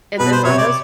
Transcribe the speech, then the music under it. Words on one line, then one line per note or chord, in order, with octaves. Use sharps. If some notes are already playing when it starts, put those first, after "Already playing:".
And then my hus
B2 B4
C5
C3 C#5
D5